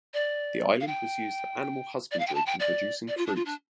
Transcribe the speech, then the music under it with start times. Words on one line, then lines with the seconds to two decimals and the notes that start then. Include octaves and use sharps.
The island was used for animal husbandry and producing fruit.
0.14 D5
0.80 F5
0.87 G5
2.11 D5
2.19 F5
2.27 G5
2.34 A5
2.46 G5
2.59 D5
3.08 D5
3.17 F4
3.26 D4
3.35 F4
3.45 D4